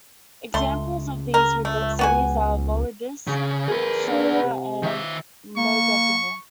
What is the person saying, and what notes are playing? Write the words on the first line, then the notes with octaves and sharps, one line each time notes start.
Examples of these rebuilt cities are Volubilis, Chellah and Mogador.
C#2 A3 C6
A#4
A3
B3 F#4 G#5
C#3
G#4 A#4 B4
D4
C3
D#3 E5
A#3 C#6